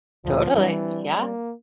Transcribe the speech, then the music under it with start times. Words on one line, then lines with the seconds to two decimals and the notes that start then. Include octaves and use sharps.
Totally. Yeah.
0.25 D2 A#2 F3
0.54 E3 G3 C4 D4
1.21 A#3